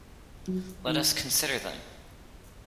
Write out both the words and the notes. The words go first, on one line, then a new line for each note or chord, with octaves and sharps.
Let us consider them!
F#3
D#3